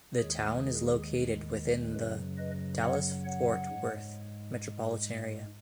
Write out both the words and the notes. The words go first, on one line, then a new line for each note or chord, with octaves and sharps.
The town is located within the Dallas-Fort Worth metropolitan area.
D#2 D#3 G#3 G#4 C#5
G#4
F#2 C#3 F#3 B4
B4 D#5
C#5 F#5
C#5 F#5
G#2 G#3